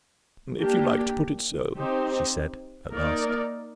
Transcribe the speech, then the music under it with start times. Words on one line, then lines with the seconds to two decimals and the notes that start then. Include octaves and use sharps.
"If you like to put it so," she said, at last.
0.61 A#3 D4 G4
1.76 C4 D#4 G4 C5
2.91 A#3 D#4 A#4 D5